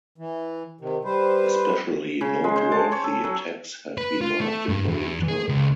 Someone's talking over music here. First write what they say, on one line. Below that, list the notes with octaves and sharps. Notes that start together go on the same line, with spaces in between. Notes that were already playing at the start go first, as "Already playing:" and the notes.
Especially noteworthy attacks have been marked in bold type.
E3
C3 D#3
G3 B4 C5
C#3
G#3
C5
A5
C#5
A4
F#3
B4
F4
A3
G2
E2
G#4
C#2